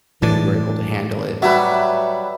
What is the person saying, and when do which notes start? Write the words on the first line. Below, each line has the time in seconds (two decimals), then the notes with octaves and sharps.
You know, we were able to handle it,
0.22 A2 E3 D4
1.42 F#3 G3 B4 E5